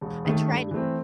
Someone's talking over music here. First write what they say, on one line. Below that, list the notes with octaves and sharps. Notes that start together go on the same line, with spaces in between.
I tried t
E1
D#2 D#3 A3
G2
E3 A3 C4